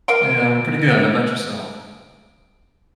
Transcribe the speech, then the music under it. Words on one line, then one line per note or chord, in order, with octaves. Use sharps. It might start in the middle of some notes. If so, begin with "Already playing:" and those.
Yeah, I'm pretty good. How about yourself?
A#4 F5 C6 D7